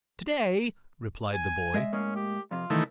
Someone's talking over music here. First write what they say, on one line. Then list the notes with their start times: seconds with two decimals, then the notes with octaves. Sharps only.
"To-day!" replied the boy.
1.33 G#5
1.74 G#3 D#5 E5
1.93 A2 G#3 A#3 C#4
2.15 G4
2.51 F2 C3 F4
2.70 C2 D#3 E3 A3